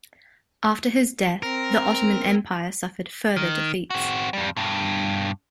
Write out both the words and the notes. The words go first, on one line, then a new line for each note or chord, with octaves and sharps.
After his death, the Ottoman Empire suffered further defeats.
C4 A#4
D#3
C4 F#4
F2 G3
G2 B2